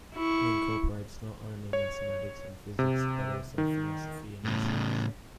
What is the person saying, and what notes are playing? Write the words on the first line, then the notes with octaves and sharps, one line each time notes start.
It incorporates not only mathematics and physics, but also philosophy and ethics.
E4 C#6
C#5
C3
D#3
A2 C#3